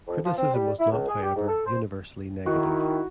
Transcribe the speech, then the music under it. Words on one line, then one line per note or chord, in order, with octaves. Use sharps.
Criticism was not, however, universally negative.
F2
F3
C4
G3
E4
C#2
G#4
G4
G#2
A4
C5
D#3 E4 F#4